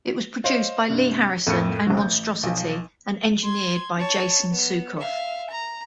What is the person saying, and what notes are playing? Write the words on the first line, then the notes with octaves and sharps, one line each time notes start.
It was produced by Lee Harrison and Monstrosity and engineered by Jason Suecof.
C5 C#5 D#5 F5 C6
G2 C3
F2 A2 A#3 C#7
F1 B1 C#3 F#3
A1 G6
B1 F3
C6 G#6
C#5 A5
B3
E5 F5
A#5